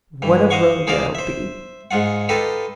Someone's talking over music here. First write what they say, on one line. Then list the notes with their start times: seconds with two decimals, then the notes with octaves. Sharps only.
What a row there'll be!
0.22 G2 E3
0.50 C5 D#5 F5 F#5 C#6
0.87 D#4 G#4 A#4 C5 D5 F5
1.15 C5 E5
1.91 G#2 G#3 F4 F#5
2.29 D#4 F4 G4 A4 B4 D#5